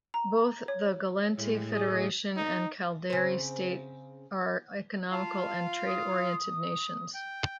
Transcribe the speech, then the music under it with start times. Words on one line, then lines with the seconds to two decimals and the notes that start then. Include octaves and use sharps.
Both the Gallente Federation and Caldari State are economical and trade oriented nations.
0.14 A#5
0.68 C#5
1.37 A2 G#3
1.72 G#4 D#5
2.37 D#4
3.10 C#3 C4 C5
5.11 F4 F5 A5
5.87 D#6
7.14 G5